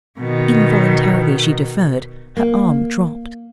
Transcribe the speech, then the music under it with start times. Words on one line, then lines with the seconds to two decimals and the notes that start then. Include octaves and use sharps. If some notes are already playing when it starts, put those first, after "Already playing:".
Involuntarily she deferred, her arm dropped.
0.19 B2 D#3
2.37 A#3